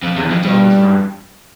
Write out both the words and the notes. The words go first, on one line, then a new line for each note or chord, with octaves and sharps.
The brown dog is running.
F2
E2
F2
G2